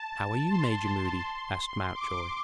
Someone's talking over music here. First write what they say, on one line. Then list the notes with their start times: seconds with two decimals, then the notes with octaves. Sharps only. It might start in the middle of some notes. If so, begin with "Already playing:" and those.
"How are you, Major Moody?" asked Mountjoy.
Already playing: A5
0.50 C6
1.95 D6